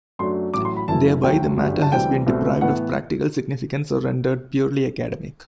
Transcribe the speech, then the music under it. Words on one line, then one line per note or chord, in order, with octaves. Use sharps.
Thereby the matter has been deprived of practical significance or rendered purely academic.
F#2 F#3 A3 D4 C6
A1 A2 F#3 D6
C6
B5
F#1 F#2 E3 A3 E4 A5
E1 D2 D3 F#3 G5
G1 F#2 D3 G3
A5
D2 C3 E3 G3 C4 G5
C2 B2 A3 C4
A2 E3 B3 F#5